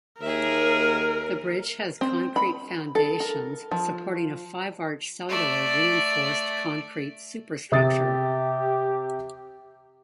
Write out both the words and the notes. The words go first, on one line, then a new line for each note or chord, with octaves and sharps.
The bridge has concrete foundations supporting a five-arch cellular reinforced concrete superstructure.
D#2 G#4 A#4 E5
C4
B5
A4
A#4
F3
A3 D5
C3 G4 D#6 A6